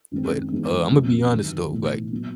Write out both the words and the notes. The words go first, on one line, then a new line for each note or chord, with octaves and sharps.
But, uh, I'm gonna be honest though, like,
F#2 D#3 G#3 C4
G2 E3 G#3 B3 D#4
F2 C3 F3 A3 C#4
G1 G2 D#3 F#3
B1 A2 E3 A3
A#2 F#3 B3